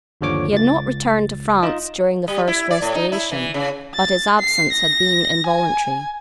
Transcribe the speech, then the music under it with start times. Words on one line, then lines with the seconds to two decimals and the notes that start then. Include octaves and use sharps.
He had not returned to France during the first Restoration; but his absence had been involuntary.
0.21 G1 D#2 D3 F3 C#5 D6
0.52 C#2 A6
1.63 D#4 F4 D#5
2.28 G3
2.48 E4
2.71 D5
2.82 A2
2.95 D#4
3.12 E4
3.31 E3
3.54 C#3
3.95 A6
4.39 C7
4.72 A#6
5.47 G#5